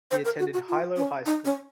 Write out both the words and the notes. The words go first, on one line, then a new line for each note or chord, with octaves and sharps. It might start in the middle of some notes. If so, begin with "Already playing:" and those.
He attended Hilo High school.
C5
A#4
F#4
F#4
F4
C#4
D#4
C#4